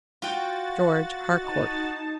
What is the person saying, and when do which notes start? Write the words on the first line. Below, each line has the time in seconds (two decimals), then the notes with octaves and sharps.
George Harcourt.
0.22 F4 F#4 G5 A6
1.44 D#4 A5